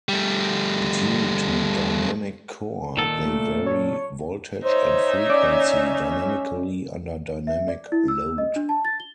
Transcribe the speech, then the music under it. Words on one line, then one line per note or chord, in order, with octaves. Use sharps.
Due to dynamic core they vary voltage and frequency dynamically under dynamic load.
G3 A3
A#2 D#3 A4
A3
C#5
D#4 C5 C#5 E5
C#4 D5
E5
D5
E4
E6
D#5
D4
A5
A6
G7